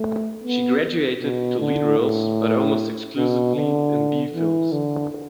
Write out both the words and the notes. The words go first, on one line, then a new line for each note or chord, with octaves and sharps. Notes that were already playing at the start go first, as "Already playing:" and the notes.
She graduated to lead roles, but almost exclusively in "B" films.
Already playing: A3
B3
B2
D3
A2
B2
D3
E3
D3